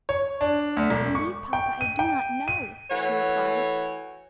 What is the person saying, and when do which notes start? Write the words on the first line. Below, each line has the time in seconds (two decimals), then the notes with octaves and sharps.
"Indeed, papa, I do not know," she replied.
0.09 C#5
0.41 D4
0.77 D2
0.90 E1
1.15 C#6
1.53 G5
1.81 D#7
1.99 G5
2.48 D#7
2.90 E3 A3 F#4 C#5